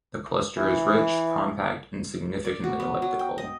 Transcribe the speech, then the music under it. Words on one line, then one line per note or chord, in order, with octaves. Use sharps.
The cluster is rich, compact, and significantly elliptical.
E3
D5
F#4
B3
F#3
G5
D#5